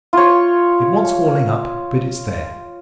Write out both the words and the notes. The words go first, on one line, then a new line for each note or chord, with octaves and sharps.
It wants hauling up, but it's there.
F4 C#5